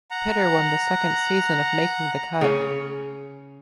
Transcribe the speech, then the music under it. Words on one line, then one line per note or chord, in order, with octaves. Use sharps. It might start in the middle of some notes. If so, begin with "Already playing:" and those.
Pitter won the second season of "Making the Cut".
F#5 A#5
C#3 C#4